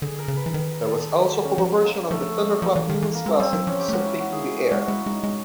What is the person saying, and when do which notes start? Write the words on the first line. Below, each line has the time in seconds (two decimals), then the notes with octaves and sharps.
There was also a cover version of Thunderclap Newman's classic "Something in the Air".
0.02 D3 G#4
0.18 A#4
0.28 C#3
0.37 B4
0.46 E3
0.53 D#3 B4
0.71 A#4
0.88 A4
1.06 G#4
1.19 G4
1.32 F#4
1.45 C#4
1.58 F3
1.85 A#3
2.11 F3 A3
2.62 F3 A#3
2.76 E3
2.89 D#3
3.02 E3
3.15 A#3
3.26 G#3 C4
3.40 G3 C4
3.53 F#3
3.67 F3 C#4
3.80 G4
3.89 A3
3.93 G#3 F#4
4.06 E4
4.19 F#4
4.32 G#4
4.58 G4
4.72 G#3 F#4
4.88 G#3 E4
5.06 G#3 D#4
5.24 G#3